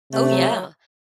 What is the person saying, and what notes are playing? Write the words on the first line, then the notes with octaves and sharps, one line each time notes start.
Oh, yeah.
C3 A3
F#3